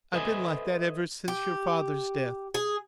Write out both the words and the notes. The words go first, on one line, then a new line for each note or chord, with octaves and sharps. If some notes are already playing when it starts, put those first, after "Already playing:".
I've been like that ever since your father's death.
A4 B4 C5 D#5 E5 G#5
G4
G#4